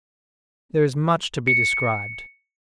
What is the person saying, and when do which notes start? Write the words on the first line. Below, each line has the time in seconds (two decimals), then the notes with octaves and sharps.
There is much to be described.
1.47 C#7